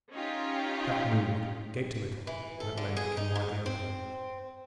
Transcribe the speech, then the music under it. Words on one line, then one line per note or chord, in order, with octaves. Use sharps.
The trap moved, gaped a little, and at length came widely open.
C#4 D#4 F4 G4
E3
A4
D3
G#4
D#4
G#2
C4